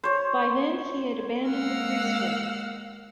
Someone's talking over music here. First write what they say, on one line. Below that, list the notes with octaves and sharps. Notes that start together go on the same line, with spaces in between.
By then, he had abandoned the priesthood.
C5 C#5
G#3 A#3 F5 F#5 E6 F6